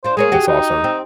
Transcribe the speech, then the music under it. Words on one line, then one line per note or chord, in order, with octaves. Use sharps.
that's awesome.
D4 F4 C5
G#3 A#3 G#4 C#5
F#4 G4
D#4
C4